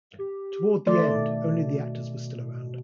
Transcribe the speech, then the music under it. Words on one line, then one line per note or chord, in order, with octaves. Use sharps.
Toward the end, only the actors were still around.
G4
D#3 A3 D5 C6
B2